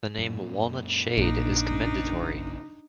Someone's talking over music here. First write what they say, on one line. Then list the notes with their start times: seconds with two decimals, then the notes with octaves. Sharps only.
The name "Walnut Shade" is commendatory.
0.18 F#2 A#2
1.17 A#1 D4 D#4
1.70 F#1 C#4